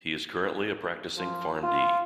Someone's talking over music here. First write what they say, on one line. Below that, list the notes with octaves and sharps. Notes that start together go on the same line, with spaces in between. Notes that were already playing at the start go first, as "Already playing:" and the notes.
He is currently a practicing Pharm.D.
F3
F4